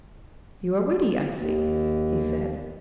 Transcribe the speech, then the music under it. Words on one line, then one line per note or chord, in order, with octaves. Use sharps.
"You are witty, I see," he said.
D#2